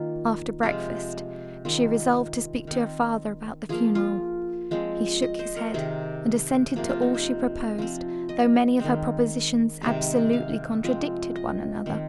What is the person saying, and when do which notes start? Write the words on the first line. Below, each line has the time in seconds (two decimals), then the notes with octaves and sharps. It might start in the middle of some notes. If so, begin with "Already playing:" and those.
After breakfast, she resolved to speak to her father, about the funeral. He shook his head, and assented to all she proposed, though many of her propositions absolutely contradicted one another.
Already playing: D#3 A#3 F4
0.63 C3 F3 G#3 F4
1.65 D#3 G#3 C4 F4
2.67 D#3 C4
3.69 F3 A#3 G#4
3.95 F4
4.71 F3 G#3 C4
5.22 D#5
5.39 C5
5.56 A#4
5.74 C3 D#3 C4 G#4
6.76 C3 F3 A#3 G#4
6.89 F4
7.02 D#4
7.14 C5
7.78 F3 C4
8.29 D#5
8.79 D#3 G#3 C4
9.82 C3 D#3 G#3 C4
10.33 F5
10.84 F3 G#3 C4
11.36 D#5
11.86 D#3 C4